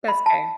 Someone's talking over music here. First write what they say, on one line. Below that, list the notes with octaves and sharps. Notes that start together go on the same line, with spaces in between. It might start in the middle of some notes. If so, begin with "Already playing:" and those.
That's fair.
B5
A5